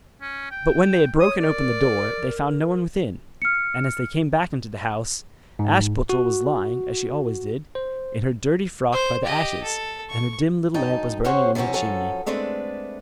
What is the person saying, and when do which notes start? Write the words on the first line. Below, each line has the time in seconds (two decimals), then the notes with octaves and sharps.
But when they had broken open the door they found no one within; and as they came back into the house, Ashputtel was lying, as she always did, in her dirty frock by the ashes, and her dim little lamp was burning in the chimney.
0.22 C#4
0.51 G5
1.20 C#5 D#6
1.40 A#4 D5
3.42 F6 C#7
5.59 G#2
6.09 F#4
7.75 C5
8.92 C5
9.23 G4 D#5
9.63 A4
10.09 C#6
10.74 F#2 D#4 D#5 G5 A5
11.24 C4 C#4 F#4 G#4 C5 C#5
11.55 C3 E3 F#3 C4 C#4
11.74 F3 F#3 C#4 A4
12.26 G#3 A3 C4 D4 B4 D5